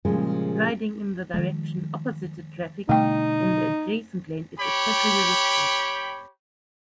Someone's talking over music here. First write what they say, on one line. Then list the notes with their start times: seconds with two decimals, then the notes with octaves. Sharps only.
Riding in the direction opposite to traffic in the adjacent lane is especially risky.
0.05 A#2 C#3 F3 G3 G#3
1.34 D#3 F3 G#3
2.89 B2 D3 G3 A3 D#4 G5
4.59 G4 C#5 G5 B5